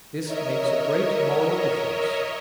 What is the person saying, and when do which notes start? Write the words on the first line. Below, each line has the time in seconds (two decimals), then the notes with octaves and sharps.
This makes a great moral difference.
0.25 A#4 C#5 D#5 E5